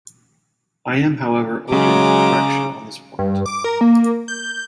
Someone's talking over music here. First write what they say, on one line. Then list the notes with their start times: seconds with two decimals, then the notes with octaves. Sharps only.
I am however open to correction on this point.
1.72 C#3 F#3 G#3 A#5 D6
3.19 G2
3.46 D6
3.64 A#4
3.81 A#3
4.28 G6